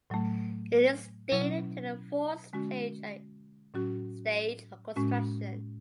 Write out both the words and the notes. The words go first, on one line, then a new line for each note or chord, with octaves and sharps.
It is dated to the fourth stage of construction.
A2 F#3 A3
B2 F#3 C#4 E4
D3 G#3 C#4 F#4
A2 F#3 C#4 F#4
A2 G#3 C#4 F#4